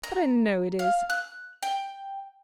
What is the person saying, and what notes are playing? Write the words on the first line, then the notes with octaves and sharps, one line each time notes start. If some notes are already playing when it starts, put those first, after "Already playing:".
But I know it is.
A#5
F5
F#6
G5